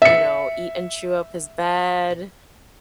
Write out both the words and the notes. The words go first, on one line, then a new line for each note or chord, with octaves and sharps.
you know, eat and chew up his bed,
E5 C#7